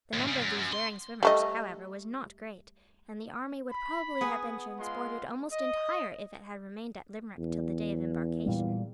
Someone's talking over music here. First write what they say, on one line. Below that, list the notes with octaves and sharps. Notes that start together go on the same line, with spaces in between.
The number of these daring swimmers, however, was not great; and the army would probably have been transported almost entire if it had remained at Limerick till the day of embarkation.
D#2 A2
C#3 G3
F#2
F#2
C6
G3 A3 D#5
B5
B3 G#4 F#5
G#3 F4 C6
D#5
E2
A#2 G3